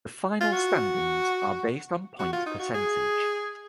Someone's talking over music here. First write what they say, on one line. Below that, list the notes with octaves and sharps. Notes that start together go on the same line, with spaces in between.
The final standings are based on points percentage.
F4
F#4
F#4
F4
D#4
F#4
G#4